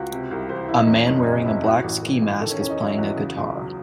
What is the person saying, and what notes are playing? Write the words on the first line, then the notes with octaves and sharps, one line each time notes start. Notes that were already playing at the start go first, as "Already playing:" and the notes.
A man wearing a black ski mask is playing a guitar.
Already playing: C#2 F#4
C3
C2
E3 C5
C2 E4
D#4
E2 C#4
F#1 D#4
C3 D#4
F#1 E4
A2 F#4
A1
E3
A1
D#3 A4
C#4
E2 C#4
D#4
F#3 E4
E2 F#4
C#3
C#2
F#3